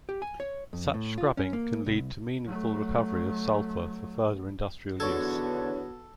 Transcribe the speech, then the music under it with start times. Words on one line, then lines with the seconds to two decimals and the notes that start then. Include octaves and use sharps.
Such scrubbing can lead to meaningful recovery of sulfur for further industrial use.
0.09 G4
0.22 G#5
0.40 C#5
0.73 F2
0.94 A2
1.18 F4
1.37 C#4
1.53 A#3
1.86 C2
2.46 F#3 A3
5.00 E2 D3 B3 D4 F#4 A4 C#5 G#6